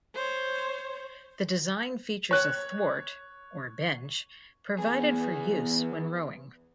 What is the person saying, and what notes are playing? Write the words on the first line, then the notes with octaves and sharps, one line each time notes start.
The design features a thwart, or bench, provided for use when rowing.
C5 C#5
C#5 F#6
E3 B3 G#4